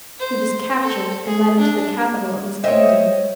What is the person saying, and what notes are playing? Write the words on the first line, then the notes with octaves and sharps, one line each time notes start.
He was captured and led into the capital of his Kingdom.
C5
A4
G#4
D4
C5 C#5 D#5 E5 G5